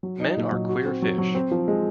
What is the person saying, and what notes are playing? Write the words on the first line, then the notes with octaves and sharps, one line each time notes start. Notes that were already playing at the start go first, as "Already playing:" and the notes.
Men are queer fish.
F#3
D#4
A#2
F#3
F#4
C4
F#3
F#3
C4
F3
G#3